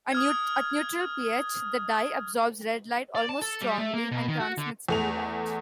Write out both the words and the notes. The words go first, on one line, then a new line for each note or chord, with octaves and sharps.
At neutral pH, the dye absorbs red light most strongly and transmits blue light.
D#6 F6 G#6
D5
A5
A4
G3
A3
A#3
B2
D#3
F#4
D3
E2 A3 F7